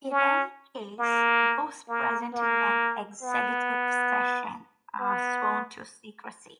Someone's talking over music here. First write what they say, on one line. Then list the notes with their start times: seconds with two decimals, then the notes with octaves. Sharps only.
In any case, those present in an executive session are sworn to secrecy.
0.11 C#4
0.99 A#3
1.89 A#3
2.33 A#3
3.22 B3
5.00 B3